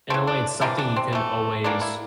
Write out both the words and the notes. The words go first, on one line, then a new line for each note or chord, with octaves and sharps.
in a way, it's something you can always
E3 A3 C4
D4
C3 E3 G3 A#3 D4
D4
C4
E3 A3
E3 G3 A#3 D4
E4